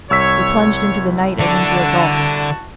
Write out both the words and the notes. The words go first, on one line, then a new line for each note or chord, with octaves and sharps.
He plunged into the night as into a gulf.
C2 C#5 E6 B6
D3 E4 F#4 A5